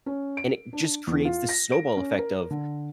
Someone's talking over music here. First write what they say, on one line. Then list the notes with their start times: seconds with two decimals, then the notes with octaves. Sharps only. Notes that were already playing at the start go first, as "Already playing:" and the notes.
and it just creates this snowball effect of
0.06 C#4
0.37 D7
0.73 D4
1.07 E2
1.25 F4
1.49 A#6
1.72 D7
1.97 C#4
2.19 A#4
2.50 D3